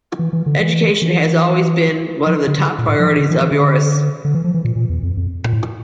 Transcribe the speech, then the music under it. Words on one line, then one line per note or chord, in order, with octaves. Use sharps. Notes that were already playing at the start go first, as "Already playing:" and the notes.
Education have always been one of the top priorities of Oeiras.
E3
E3
D3
E3
E3
F3
D3
D3
A#2
A2
F3
E3
D3
E3
E3
D3
D3
E3
F3
E3
A#2
A#2
E2
F2
F2
A#2
A2